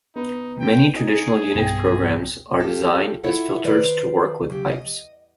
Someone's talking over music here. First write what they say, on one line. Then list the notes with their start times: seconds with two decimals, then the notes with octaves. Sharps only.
Many traditional Unix programs are designed as filters to work with pipes.
0.16 B3 D#4
0.59 G5
0.96 D#4 G#4
1.56 B1 G2 G5 A#6
2.60 F4 G4 A4
3.23 E4 F4 A4 C#5 E5 F#5
3.64 D#3 B4 C5 D5
4.50 C#3 F#3 G4
4.72 D#5